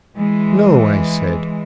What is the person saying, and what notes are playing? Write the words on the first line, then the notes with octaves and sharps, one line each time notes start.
"No," I said.
E3 G#3